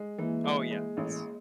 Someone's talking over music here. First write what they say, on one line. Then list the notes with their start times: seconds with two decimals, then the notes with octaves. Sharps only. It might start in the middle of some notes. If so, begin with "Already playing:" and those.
Oh, yeah, it's
Already playing: G#3
0.18 E3 A#3
0.44 G#3
0.71 G#3
0.97 A1